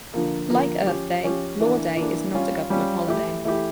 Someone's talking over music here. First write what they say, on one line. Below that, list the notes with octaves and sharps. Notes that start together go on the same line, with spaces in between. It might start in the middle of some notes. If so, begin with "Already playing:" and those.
Like Earth Day, Law Day is not a government holiday.
D3 F3 A#3
D3 F3 A#3
F3 C#4 G4
F3 C#4 G4
E3 A#3 D4
E3 A#3 D4
G3 C#4 F4
G3 C#4 F4
E3 A3 E4 G4
E3 A3 E4 G4